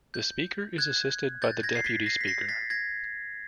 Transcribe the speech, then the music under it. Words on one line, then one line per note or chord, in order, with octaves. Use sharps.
The Speaker is assisted by the Deputy Speaker.
G6
F#6 G#6
G6 A6
G#6 A#6
C7
A6 B6
A#6 C7
B6
A#6 C7
A6 B6
G#6 A#6